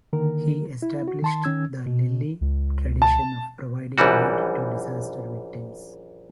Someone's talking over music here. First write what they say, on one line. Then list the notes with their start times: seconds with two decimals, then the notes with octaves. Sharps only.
He established the Lilly tradition of providing aid to disaster victims.
0.13 D3 D#3 A#3 A#4
0.82 E4
1.08 F#4
1.22 D#3 A5 C6
1.44 D#3 C#4 E6 G#6
1.86 B2
2.41 C#2
3.02 A5
3.98 A#1 F#2 E3 G3 F#4